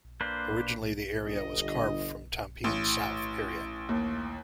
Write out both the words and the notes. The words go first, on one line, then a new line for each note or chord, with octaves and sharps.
Originally the area was carved from Tampines South area.
A#3 D4 B4 C5
G1 D#5
A1
D#2